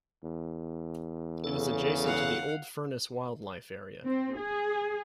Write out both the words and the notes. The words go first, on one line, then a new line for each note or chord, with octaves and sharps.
It is adjacent to the Old Furnace Wildlife Area.
E2
C#3 A4
F5 F#5
C4
G#4